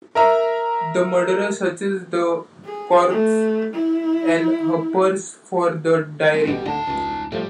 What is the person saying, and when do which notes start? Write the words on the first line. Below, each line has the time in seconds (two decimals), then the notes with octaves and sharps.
The murderer searches the corpse and her purse for the diary.
0.15 A#4 E5 A#5
2.65 G#4
3.09 A3
3.73 E4
6.34 G#3 C4
6.47 A1 B2 G3 G4
6.65 D1 D3 D#4 A5
6.87 E1 C#2
7.32 A2 F3 G3